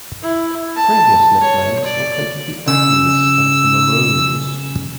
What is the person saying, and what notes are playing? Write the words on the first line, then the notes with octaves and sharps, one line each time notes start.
Previous nicknames included the Aggies and the Maroons.
E4
A5
C#5
D5
C#3 E6